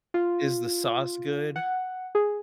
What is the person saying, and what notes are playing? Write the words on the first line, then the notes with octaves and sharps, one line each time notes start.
Is the sauce good?
F4
F#5
G#4